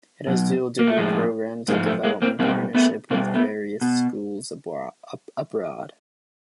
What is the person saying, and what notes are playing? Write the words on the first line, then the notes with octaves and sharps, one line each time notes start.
It has dual degree programs and development partnerships with various schools abroad.
B2 F#3
A#3
A3
A2 F3 G#3
G#2 F3 G#3 A#3
A3
G#3 A#3
A#3 C4
B2 G3 A#3 C4
A3 B3
B2 G3 A#3 C4
A3 B3
B2